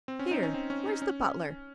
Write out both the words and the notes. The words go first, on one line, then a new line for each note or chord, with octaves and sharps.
'Here! where's the butler?
C4
C#4
D#4
C#4
C4
C#4
D#4
C#4